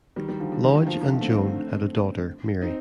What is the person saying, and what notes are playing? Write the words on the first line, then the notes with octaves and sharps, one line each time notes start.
Lodge and Joan had a daughter Mary.
D#3 G3
D#3 G3
D3 F3
D3
D#3
D#3
F3
D#3
D3 F3
A3 C4
C4 D#4